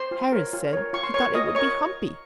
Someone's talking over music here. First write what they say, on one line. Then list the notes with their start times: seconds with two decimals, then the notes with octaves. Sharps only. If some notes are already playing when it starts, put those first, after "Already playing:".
Harris said he thought it would be humpy.
Already playing: C5 C6
0.11 F4
0.32 A#4 C#5
0.53 F4
0.73 A#4 C#5
0.93 F4 C#6
1.04 C6
1.14 A#4 C#5 C#6
1.34 F4 D#5 D#6
1.55 A#4 C#5 C#6